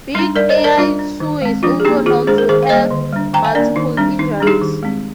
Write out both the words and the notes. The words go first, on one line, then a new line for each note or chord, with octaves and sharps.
Big Al Two is also known to have multiple injuries.
G3 D4 D#4
G3 A#4 D5
C5 D#5
D4
A#4 D5
G3 D4 F4
D4
D#3
G#3 C4
F3 D4 F4
G#4
A#3 D4 D#4 G4
D#3 F4 G#4
G#3 D4 G#4 C5
A#4
D#3 G#4 C5
F5
G3 A#3 C5 D#5
D3
G3 D4
D#3 G5 A#5
F5 G#5
A#3 D4 A#4 D5
D#3 D#4
G3 C4 D4
D#3 D#4
G3 D4 G#4
D#4 G4
D#3
G#3 C4